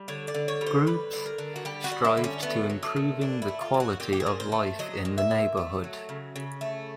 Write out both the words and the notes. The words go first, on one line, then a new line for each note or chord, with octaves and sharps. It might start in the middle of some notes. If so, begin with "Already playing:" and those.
Groups, strived to improving the quality of life in the neighborhood.
Already playing: G3
D3 C#5
D5
D3
C#5
G3
C5
G3 B4
D3
A#4
D3
F#4
G3 G4
F#4
G3
E4
D3
C#4
A3 B3
F#3
A3
A#2
A#2 D4
E4
A3
F4
F#3
F#4
A#2 G4
G4
G#4
A#2
C5
A3
F#3 D#5
A#2
E5
A#2
A3
F#3
C#3
C#3
A3